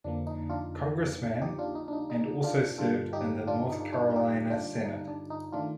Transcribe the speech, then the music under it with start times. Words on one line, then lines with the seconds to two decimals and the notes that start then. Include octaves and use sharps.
Congressman and also served in the North Carolina Senate.
0.04 F2 D3 F3 A#3 D4
0.27 D#4
0.50 D4 F4
1.42 D#4 G4
1.59 D4 F4
1.75 D#4
1.88 D4
1.93 D#4
2.10 D#4
2.44 D4 F4
2.78 G2 D3 G3 F4 A4
3.13 D#4 G4
3.47 D4 F4
3.70 D#4
3.92 D4 F4
4.10 F4
4.16 D#4 G4
4.50 D4 F4
4.85 D#4
5.08 D4
5.30 D#4
5.52 D#3 A3 D4 F4